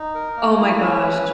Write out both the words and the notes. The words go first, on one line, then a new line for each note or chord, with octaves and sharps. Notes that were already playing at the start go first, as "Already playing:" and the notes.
Oh my gosh.
Already playing: D#4
A#4
A#3
E4
C#4
B4